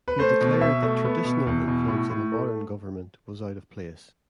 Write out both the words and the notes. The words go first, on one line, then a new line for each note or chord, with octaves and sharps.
He declared that traditional influence in a modern government was out of place.
B4
A3 C5
B2
B2 E5
A3
B3
B2
E2
B2
A2
A2
A3